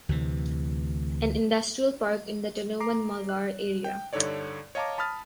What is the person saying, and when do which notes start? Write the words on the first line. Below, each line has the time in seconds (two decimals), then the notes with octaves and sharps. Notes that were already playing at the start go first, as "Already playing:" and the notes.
An industrial park in the Tanauan-Malvar area.
0.09 D2 C3 E3
2.80 A#5 D6 C7
3.29 F#6
3.84 G5
4.13 G2 D3 D#4 A4 C#5 D5
4.75 C#5 D#5 F5 A5 A#5 D6
4.98 A5 B5 D#6 F6 A6